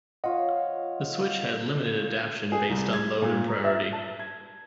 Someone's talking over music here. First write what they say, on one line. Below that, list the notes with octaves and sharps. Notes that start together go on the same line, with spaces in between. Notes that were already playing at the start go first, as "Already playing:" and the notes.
The switch had limited adaption based on load and priority.
F3 F4 C#5 D#5 F#5
G#4
C2
G#6
A#2
A#5
E5
A5
G#6